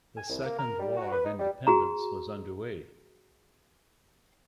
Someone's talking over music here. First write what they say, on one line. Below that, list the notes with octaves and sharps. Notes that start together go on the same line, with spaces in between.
The Second War of Independence was underway.
G#5
C2
A#3
A#4
G3
F#4
B4
D#4
G3
F#4 G#4 A#5